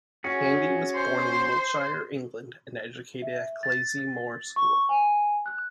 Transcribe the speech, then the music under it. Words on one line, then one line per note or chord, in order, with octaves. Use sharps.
Handy was born in Wiltshire, England and educated at Clayesmore School.
C#4 F#4 G#4
C5
E5
A6
C#6
G#5
F#6